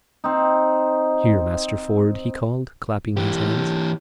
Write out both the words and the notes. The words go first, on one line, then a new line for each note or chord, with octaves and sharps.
"Here, Master Ford," he called, clapping his hands.
C4 D#4
E3 G4